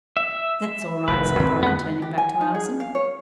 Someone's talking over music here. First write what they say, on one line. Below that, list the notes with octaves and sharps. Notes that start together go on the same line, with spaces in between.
"That's all right," said Bryan, turning back to Allison.
E5
F1 D#3 B4
F2 D3 C4
B3 F#6
G4
G#5
D#4
G#4
F5
C#5